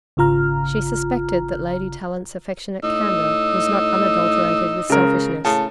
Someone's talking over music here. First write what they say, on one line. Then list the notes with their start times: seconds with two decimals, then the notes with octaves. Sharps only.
She suspected that Lady Tallant's affectionate candour was not unadulterated with selfishness.
0.17 G#1 C#3 F4 A#5 F6
2.83 A2 D#4 E6
4.90 C#2 C#3 A#4
5.45 A2 C#3 A5